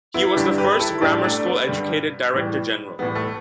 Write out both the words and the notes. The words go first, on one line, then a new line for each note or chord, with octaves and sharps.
He was the first grammar school educated Director-General.
B3 E4
G2 D3 G3 D4 G4
G4 B4
E4 A4
A2 G3 D4 G4
A3 D4
B3
G2 D3 G3
A2 E3 G3
A2 E3 G3 B3
A3